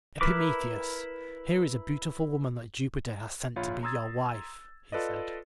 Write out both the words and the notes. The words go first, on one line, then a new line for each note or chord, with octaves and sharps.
"Epimetheus, here is a beautiful woman that Jupiter has sent to be your wife," he said.
E4 A#4 B4 D6
A#1 F4 C#5 B5
A#5 C6 D#6 E6 G#6 A6
F4 A4 B4 D5 D#5